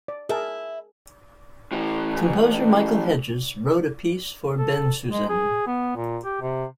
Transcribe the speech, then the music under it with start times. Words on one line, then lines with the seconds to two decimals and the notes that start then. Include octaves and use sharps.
Composer Michael Hedges wrote a piece for Bensusan.
0.08 D5
0.29 E4 G#4 A#4 E5 A5
1.72 A2 E3
4.59 A4
5.11 G#3
5.29 G#4
5.67 B3
5.96 A#2
6.25 G4
6.41 C3